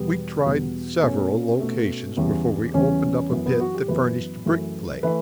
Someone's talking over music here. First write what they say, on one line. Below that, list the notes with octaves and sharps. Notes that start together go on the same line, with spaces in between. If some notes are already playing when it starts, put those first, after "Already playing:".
We tried several locations before we opened up a pit that furnished brick clay.
Already playing: E2 B2 G3 B3
E2 B2 G3 B3
B2 A3 C#4
B2 A3
E2 C#3 E3 G3
E2 C#3 E3 G3 C#4
F#2 E3 B3
B3
F#4
G4
F#2 E3 B3 B4
F#2 E3 A3
E3 A3 B4